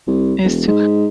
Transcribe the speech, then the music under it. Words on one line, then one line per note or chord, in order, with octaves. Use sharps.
It's to
C2
E1
G#2